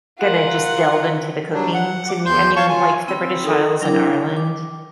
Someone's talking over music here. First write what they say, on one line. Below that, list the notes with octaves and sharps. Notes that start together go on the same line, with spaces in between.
gonna just delve into the cooking to me. I mean, like, the British Isles in Ireland,
F4 A#4 F#5
F#3 G3 D4
F#5
D6
E2 C6 G6
C#5 F5 A5 C#6
F4 G#5
C4 G5 B5 E6
D#4 A4 A#4 D#6
F#3 D4 E4 A#4 G5 D6
D6